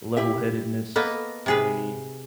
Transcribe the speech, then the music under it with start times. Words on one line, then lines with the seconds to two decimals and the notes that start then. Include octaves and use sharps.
level-headedness, a,
0.16 E4 G4 E5
0.96 A#3 B3 A4 B4 D#5
1.46 C3 G#4 B4